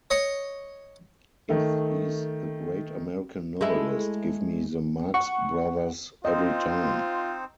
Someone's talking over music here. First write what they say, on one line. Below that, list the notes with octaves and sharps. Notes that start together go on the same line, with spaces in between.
If he's the great American novelist, give me the Marx Brothers every time.
C#5 D#5 C#6
D#3 A3
G#3 A3 E4
F#5 C#6
C4 D#4 F4 C5 D#5